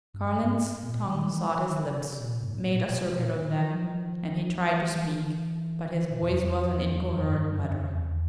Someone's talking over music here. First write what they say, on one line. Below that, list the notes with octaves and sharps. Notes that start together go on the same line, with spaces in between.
Carling's tongue sought his lips, made a circuit of them--and he tried to speak, but his voice was an incoherent muttering.
G2
G#2
A#2
D#3
E3
E3
D#3
C#3
C3
A#2
G#2
A2
A#2
B2
B2
A#2
D#3
F3
E3
E3
B2
F2
F2
E2
F2
E2
F2
E2
F2
G2
F#2
F2
E2